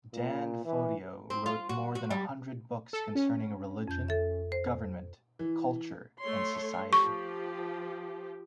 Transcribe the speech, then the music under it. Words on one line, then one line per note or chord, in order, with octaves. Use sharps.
Dan Fodio wrote more than a hundred books concerning religion, government, culture, and society.
A#2
E3
C4
F4
F#4
F#4
G3
A4
C#4
F2 G6
A4 E5
C5
E3
A3 C#5 C6
F3 G4 C#6